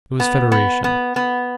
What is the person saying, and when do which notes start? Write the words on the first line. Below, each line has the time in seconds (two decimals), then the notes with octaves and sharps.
It was Federation.
0.20 B3
0.52 B3
0.84 B3
1.16 B3